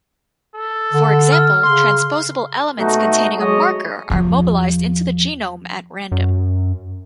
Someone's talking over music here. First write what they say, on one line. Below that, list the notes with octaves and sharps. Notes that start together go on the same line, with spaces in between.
For example, transposable elements containing a marker are mobilized into the genome at random.
A4
D3
F6
C#3 C6
B2 A3 D#4 F#4
F#3 G#3 C#5 D#5
E2 F3
F#2